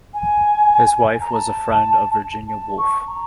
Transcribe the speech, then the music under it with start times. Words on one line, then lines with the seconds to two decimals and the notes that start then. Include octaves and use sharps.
His wife was a friend of Virginia Woolf.
0.14 G#5
1.21 A#5
1.31 A5
2.48 A5
2.78 C#6
3.07 A#5